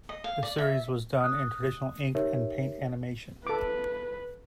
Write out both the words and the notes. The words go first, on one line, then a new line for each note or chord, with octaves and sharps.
The series was done in traditional ink and paint animation.
D#5
F5
D5
E5
D#6 F#6
D#4 G4 A#4 C#5 E5
A4 B4 D6